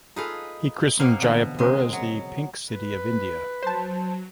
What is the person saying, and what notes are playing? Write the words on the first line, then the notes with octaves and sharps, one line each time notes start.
He christened Jaipur as 'the Pink City of India'.
D#4 F4 G#4 A4 B4 F5
B2 A#3 C4 F5
B2 D3 E3 B3
C#3 G#3 C4 A#4
F#3
B4
F#3 C5 A5